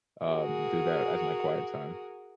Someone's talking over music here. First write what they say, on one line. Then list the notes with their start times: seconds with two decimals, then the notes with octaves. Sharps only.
um, do that as my quiet time,
0.25 F#4 G#4 A#4